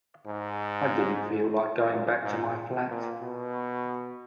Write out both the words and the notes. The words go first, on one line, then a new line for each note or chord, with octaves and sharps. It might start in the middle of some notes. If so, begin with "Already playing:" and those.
I didn’t feel like going back to my flat.
G#2
F#2
G#2
A#2
B2